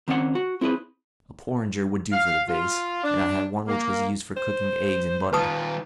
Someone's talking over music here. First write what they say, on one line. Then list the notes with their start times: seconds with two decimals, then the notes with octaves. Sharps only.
A porringer would do for the vase, and I had one which was used for cooking eggs in butter.
0.08 D#3 C4 C#4 E4 F#5
0.35 F#4
0.61 C4 E4 G#4 A#4 B4
2.12 F5
2.48 F4
3.04 D4
3.68 A#3
4.37 C5
5.33 D#3 F4 B4 A5 D#6